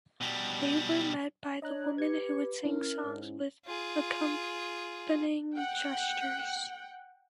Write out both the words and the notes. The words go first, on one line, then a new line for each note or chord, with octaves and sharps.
They were met by the women who would sing songs with accompanying gestures.
B2 G3
D4 C#5 D#5 A#5 F#6
G4 B4 G#6 C#7
C#4 E4 A#4
G#2
F4 G#4
F#5 G5